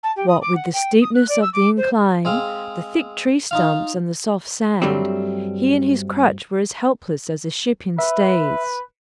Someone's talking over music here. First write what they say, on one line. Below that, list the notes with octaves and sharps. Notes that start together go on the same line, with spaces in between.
What with the steepness of the incline, the thick tree stumps, and the soft sand, he and his crutch were as helpless as a ship in stays.
A5
G4
D#6
D6
F#5
G5
D#6
F#6
D5
E6
D6
C5
G#3 C4 F5
D#4 F4 F5
G2 F#3 G3 A3 C4
B4 E5